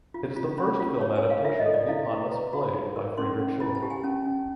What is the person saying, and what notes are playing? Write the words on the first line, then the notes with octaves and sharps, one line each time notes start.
It is the first film adaptation of the eponymous play by Friedrich Schiller.
F4
F4
C#4 B5
F4
C#5 A5
G#5
A#4
F5
F4 E5
D#5
A4
D5
E4 F5
E4
B4 A#5
F#4 B5
D#4
A#4
C#4 C6
C#4
E4 B5
A5
G4
G#5
C#4 A5
C#4